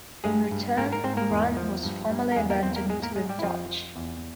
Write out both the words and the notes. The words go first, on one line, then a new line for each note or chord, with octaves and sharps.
In return Run was formally abandoned to the Dutch.
G2 G#3 G#4
G2
G#2 A#3 A#4
A#4
G#2 C4 C5
A#3 A#4
E2
F3
G2
G2
A#4
E2 G#3 G#4
A#3 A#4
E2 C4 C5
A#3 A#4
G#2 G#3 G#4
A#3 A#4
G#2 G#3 G#4
G3 G4
E4
F2 F3 F4
F3
E2